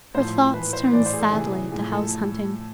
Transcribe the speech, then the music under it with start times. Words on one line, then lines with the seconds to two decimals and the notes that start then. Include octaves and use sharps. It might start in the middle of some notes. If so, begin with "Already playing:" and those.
Her thoughts turned sadly to house-hunting.
0.14 A2 F3 C5
0.53 A2 E3 B4
0.73 C5
0.93 A2 E3 D5
1.06 C5
1.13 G#4
1.19 A4
1.32 C3 E3 G#4
1.71 A2 F3 G#4
1.91 A4